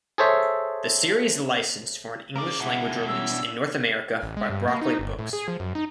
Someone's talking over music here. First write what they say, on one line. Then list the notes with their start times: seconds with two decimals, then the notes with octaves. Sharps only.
The series licensed for an English-language release in North America by Broccoli Books.
0.18 G#4 A4 C5 C#5 E5
2.36 C#3 A#4 D5
2.60 B2 E4 F#5
3.08 G3 C#4 E6
3.29 C#4 D4
4.22 A1
4.37 G#3
4.50 G2
4.68 A#3
4.82 D#4
4.99 G1
5.19 A2
5.33 G#4
5.48 F3
5.60 F#2
5.75 D#4